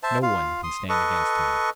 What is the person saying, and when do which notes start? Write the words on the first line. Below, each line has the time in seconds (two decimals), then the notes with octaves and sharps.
No one can stand against me.
0.03 C5 E5 A5
0.23 F4 F5
0.63 C6 D#6
0.89 A4 B4 D#5 C#6